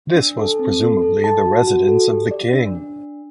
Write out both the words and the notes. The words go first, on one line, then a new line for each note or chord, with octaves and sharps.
This was presumably the residence of the king.
D4
A4
C4
A4
A4
A5
F#4
F#4
A4
G4
D5
D4
D4